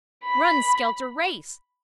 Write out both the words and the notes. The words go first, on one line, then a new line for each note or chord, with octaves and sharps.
Run, skelter, race.
B5